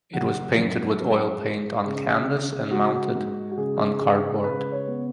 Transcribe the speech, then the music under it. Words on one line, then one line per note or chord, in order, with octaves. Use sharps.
It was painted with oil paint on canvas and mounted on cardboard.
F#1 F#5
F#2
G#3
G#3
C#3
C#3
G#2 F#4
G#2
F#4
C#3 G#4
G#3
C#3 B4
C#5
B3